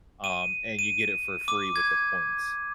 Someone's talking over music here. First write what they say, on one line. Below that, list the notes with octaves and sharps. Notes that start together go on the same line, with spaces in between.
um, and you get it for free with the points.
D#7
D#7
D6
G#6